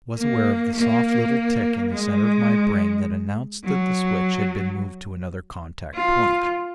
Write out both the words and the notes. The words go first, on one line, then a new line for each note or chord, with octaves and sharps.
I was aware of the soft little tick in the center of my brain that announced that the switch had been moved to another contact point.
A#3
A#3
G#3
F#3
F4